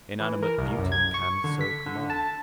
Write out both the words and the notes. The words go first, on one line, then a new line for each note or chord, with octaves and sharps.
Inanimate beauty can so command.
E3
A#4
C2
F#2
G#6
C#6
D3
B6
D3
A5